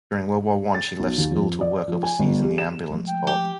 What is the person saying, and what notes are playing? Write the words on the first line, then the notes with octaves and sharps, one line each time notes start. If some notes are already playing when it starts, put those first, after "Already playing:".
During World War One, she left school to work overseas in the ambulance corps.
A6
B1
D#2
F2
D5
F3
G#5
G1
G4
E7
F3 G#3 A3
G5
G4